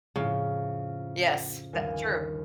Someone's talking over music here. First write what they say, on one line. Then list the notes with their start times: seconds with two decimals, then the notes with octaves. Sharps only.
Yes, that true.
0.16 F2 A2 C#3
1.73 G1 D#2 G#5